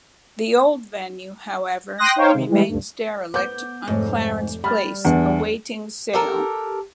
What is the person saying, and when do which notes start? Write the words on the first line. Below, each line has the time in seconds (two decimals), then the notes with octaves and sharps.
The old venue however remains derelict on Clarence Place awaiting sale.
1.98 G5 C6 D#6 F#6 A#6
2.16 D#4 C5 C#5 F5 G5
2.34 C3 D#3
2.48 E3 G3 G#3
2.69 C#2 G2
3.34 B3 D6 G6
3.88 F1 G#2 A3 C#5
4.64 G3 B5 F6 A6
5.05 E2 B3 D4
6.13 G4 A4 A#4